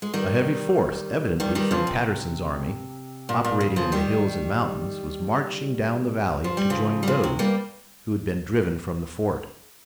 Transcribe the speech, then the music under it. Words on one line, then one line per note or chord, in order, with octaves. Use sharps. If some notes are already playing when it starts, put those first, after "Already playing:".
A heavy force, evidently from Patterson's army operating in the hills and mountains, was marching down the valley to join those who had been driven from the fort.
G#3
D#3 G3
D#3 G3
D#3 G3
C#3 F3
C3
A#2
A#2
C#3
C#3 F3
D#3 G3
F3
G3
C#3 F3
G3
C#3 F3
C3
G3 A#3